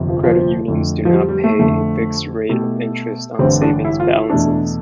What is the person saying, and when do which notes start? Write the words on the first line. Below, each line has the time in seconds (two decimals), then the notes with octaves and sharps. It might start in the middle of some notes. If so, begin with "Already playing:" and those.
Credit unions do not pay a fixed rate of interest on savings balances.
Already playing: G1 F2 C3
0.08 F3
0.23 F3
0.68 F2 D3 A3
1.05 F3
1.14 G3
1.28 G3
1.44 A3
1.58 F2 D3 F3 A3
2.49 B2 A3 E4 G4
3.39 A1 G2 D3 C4
3.62 D4
3.84 E4
4.00 F4
4.15 E4
4.30 E2 B2 A3 D4 E4